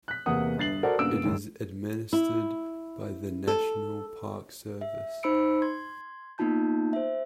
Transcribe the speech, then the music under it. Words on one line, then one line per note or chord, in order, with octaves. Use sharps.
It is administered by the National Park Service.
F#6 B6
E2 C3 A#3 F#5 D#6
G1 G2 A6 C7 F#7
F#4 A4 A#4 C5 D5 F#5
G2 C#3 A#3 B3 E6 D7
F#1 D#2 G#2
E4
A4
E5
D#4 C5 B5 E6 C#7 D7
C6 G#6
A#3 B3 D#4 F4 A5 G6
C5 E5